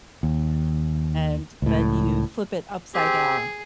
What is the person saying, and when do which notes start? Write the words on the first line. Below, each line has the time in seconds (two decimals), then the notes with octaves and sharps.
and then you flip it upside down,
0.23 D#2
1.62 C#2 A2
2.94 C4 G4 G#4